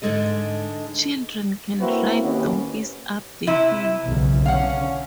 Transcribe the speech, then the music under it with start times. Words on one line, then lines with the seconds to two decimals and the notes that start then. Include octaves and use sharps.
Children can ride donkeys up the hill.
0.02 G#2 D3 F#3 G#3 A4 D#5
1.80 A#3 C4 E4 F#4 A#4 B4
2.23 D#2 B3 C#4
3.47 C3 E4
4.05 B1 E2 C#3
4.46 D3 C#4 F5 F#5